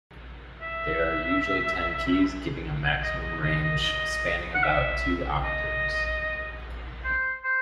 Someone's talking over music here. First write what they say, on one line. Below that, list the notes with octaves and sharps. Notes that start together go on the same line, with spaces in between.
There are usually ten keys, giving a maximum range spanning about two octaves.
E5
D#5
D#5
D#5
D#5
D#5
F#5
E5
D#5
C5
C5